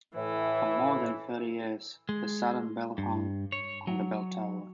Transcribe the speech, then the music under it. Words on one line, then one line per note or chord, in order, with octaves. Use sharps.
For more than thirty years, the silent bell hung on the bell tower.
A2 E3
G#3
G2
C#5
F#3